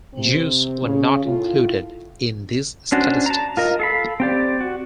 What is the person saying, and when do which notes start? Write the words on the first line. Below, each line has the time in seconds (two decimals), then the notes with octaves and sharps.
Jews were not included in these statistics.
0.14 C3 C4
0.84 C#3
1.24 A2 F4
2.92 C#4 D4 F#4 C5
3.26 A5 A#5
3.57 F4 A#4 D#5
3.80 A4 F5 B5
4.20 C4 G4 D5
4.61 F#4